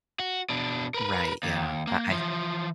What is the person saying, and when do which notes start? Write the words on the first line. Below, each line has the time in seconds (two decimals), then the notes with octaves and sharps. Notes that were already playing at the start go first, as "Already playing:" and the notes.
Right, yeah, I I
0.20 F#4
0.49 B2 D4
0.94 A#4 B4
1.43 D#2
1.87 A#3
2.10 E3 F3